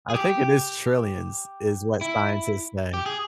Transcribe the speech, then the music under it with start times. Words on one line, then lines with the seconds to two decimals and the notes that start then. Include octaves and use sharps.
I think it is trillions, is what scientists say.
0.10 G#4
0.14 G4
2.01 E4
2.94 G4
3.06 G#4